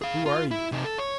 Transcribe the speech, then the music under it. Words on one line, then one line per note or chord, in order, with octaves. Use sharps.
"Who are you?"
G#4 F5
F4
E4
C3 D#4
A4
C#5